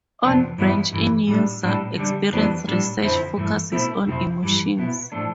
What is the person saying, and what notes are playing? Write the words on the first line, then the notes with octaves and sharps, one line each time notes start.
One branch in user experience research focuses on emotions.
F2 C3 F3 B3 D4
G2 E3 G3 B3 E4
G2 E3 G3
A2 G3 D4
A2 G3 D4
D3 G3 D4
F2 E3 G3 B3 D4
A2 G3 D4
F2 D3 F3 C4 E4
G2 E3 A3
B2 A3 C4 E4
F2 C3 F3 C4 E4
G2 E3 G3
B2 B3 E4
A2 F3 A3 D4